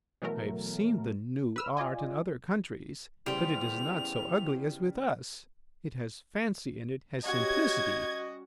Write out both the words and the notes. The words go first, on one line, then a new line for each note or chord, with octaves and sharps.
I have seen the 'new art' in other countries, but it is not so ugly as with us; it has fancy and it has simplicity.
B2 E3 F#3 A3 A#4
B4 E6 F6
F4 D5 D#5 G#5
E2 C#3 G3 G4 C5 F7
G3 C#4 F#4 D#5 G#6